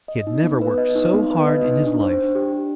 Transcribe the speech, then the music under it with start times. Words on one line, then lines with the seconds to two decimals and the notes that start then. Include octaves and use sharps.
He had never worked so hard in his life.
0.08 D#5
0.27 D#4
0.43 B3
0.61 B4
0.78 D#5
0.95 D#4
1.14 B3
1.31 B4
1.48 D#5
1.65 D#4
1.83 D4
2.01 C5
2.18 D4
2.35 G4
2.52 D4